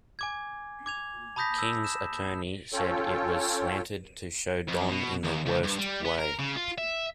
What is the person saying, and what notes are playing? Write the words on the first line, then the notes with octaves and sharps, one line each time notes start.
King's attorney said It was slanted to show Don in the worst way.
G#5 D6 G#6
D6 G#6 F7
A5 B5 D#6 G6 A#6 B6
E6
E7
C#4 F4 A4 C#5 G5
F2
B2
D#2
C#2
G2
G3
B3
A#4
C#3
F4
E5